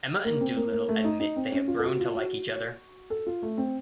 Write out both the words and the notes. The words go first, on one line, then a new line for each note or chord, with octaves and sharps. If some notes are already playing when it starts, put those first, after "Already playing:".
Emma and Dolittle admit they have grown to like each other.
A#3
C4
A#3
A#3
A3
D#4
D#4
C4
C#4
F4
A4
F#4
F4
F#4
A4
F4
A3
C4